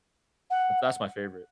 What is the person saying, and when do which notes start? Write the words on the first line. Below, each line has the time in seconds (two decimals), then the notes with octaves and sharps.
th that's my favorite.
0.50 F#5